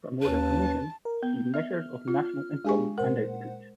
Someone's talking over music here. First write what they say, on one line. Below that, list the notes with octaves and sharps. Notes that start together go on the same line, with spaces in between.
For more information, see Measures of national income and output.
D#2 C#4 B4 A5
A#4
B3 G6
E5 F6
F4
G#3 D4 G4 G#4 G#5 C#6
A#2 A#4 C5 F#5